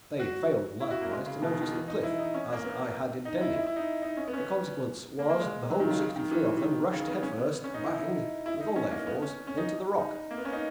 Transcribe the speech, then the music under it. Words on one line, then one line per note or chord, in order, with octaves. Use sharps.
They failed likewise to notice the cliff, as I had intended. The consequence was the whole sixty-three of them rushed head first, bang! with all their force, into the rock.
F#4
E4
F#4
A#3
G#3
C#3
B2
D#3
D#3
E3
D#4
E4
D#4
C#4
A#3
B3
D#4
E4
E4
E4
D#4
D#4
C#4
B3
C#4
B3
A#3
A#3
G#3
F#3
D#3
C#3
C#3
D#3
E3
E3
E3
D#3
D#3
C#3
B3
C#4
B3
B3
C#4
D#4
E4
D#4
E4
D#4
C#4
A#3
B3
C#4
C#4
D#4
D#4
A#3
B3
C#4
D#4